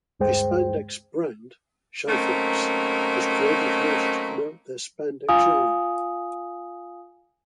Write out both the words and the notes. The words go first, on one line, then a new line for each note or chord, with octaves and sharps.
A spandex brand, Sheiflex, is created in order to promote their spandex yarn.
D2 G2 G#3 G#4 C5 G5
F#3 A3 A#3 C4 C#4 D#4
F4 F5 G#5 D#6